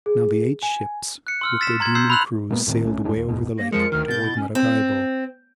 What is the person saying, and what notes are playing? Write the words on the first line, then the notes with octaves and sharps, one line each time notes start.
Now the eight ships with their demon crews sailed away over the lake toward Maracaibo.
G#4
G#5
F#6 C#7
C6 E6 F6
E6 A6 B6 E7
A#5 C6 G#6
A#5 C6 E6 G6 C7
B5 C6 E6 F#6 F7 F#7
A#2 G#3 A#3 B3
D#1 A2 D#3 C4
C2 A3 C#4
D#1 F#2 G#3 D4
D#2
A#1 E2 G#2 B2
A#3 A#6
F2 F3 G#3 A#4 C#7
D2 D#3 F6
B2 G6 A6
E4
C#4
C4